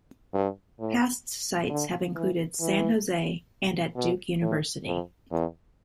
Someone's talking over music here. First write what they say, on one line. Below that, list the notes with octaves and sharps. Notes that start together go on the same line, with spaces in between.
Past sites have included San Jose and at Duke University.
G2
A2
D3
E3
E3
B2
A2
F2
E2